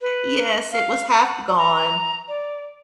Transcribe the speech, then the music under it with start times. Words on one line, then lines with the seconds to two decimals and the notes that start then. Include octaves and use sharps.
Yes. It was half gone.
0.01 B4
0.72 F5
1.22 F#5
1.57 A#5
2.28 D5